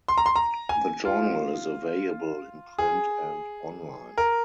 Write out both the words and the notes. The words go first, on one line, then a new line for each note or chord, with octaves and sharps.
The journal is available in print and online.
C6
A#5
C6
A#5
G#5
F4
G#4
A#4